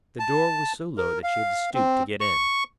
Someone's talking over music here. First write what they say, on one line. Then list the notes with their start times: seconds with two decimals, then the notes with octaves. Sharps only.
The door was so low that she had to stoop to get in.
0.19 A5
0.97 A#4
1.24 F5
1.74 C4
2.21 C#6